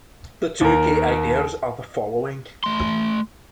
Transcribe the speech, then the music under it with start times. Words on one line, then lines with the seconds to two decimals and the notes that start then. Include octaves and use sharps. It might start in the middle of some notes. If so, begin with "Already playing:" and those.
The two key ideas are the following.
0.61 D#2 A#4
2.64 A3 C6